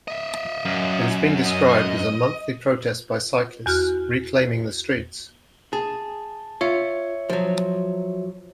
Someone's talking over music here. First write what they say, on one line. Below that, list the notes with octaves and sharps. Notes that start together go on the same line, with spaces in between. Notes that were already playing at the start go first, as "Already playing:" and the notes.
It has been described as a monthly protest by cyclists reclaiming the streets.
D#5 E5
F#2
D#5
E2 F#4 F6 F#6
G#4 A5
F4 C#5 E5 C#7
F3 F#3